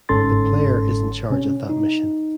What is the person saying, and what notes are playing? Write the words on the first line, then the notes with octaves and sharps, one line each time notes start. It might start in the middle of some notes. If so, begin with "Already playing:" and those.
The player is in charge of that mission.
G1 G#2 C#4 A4 C6 A6
C3 C#4
D#4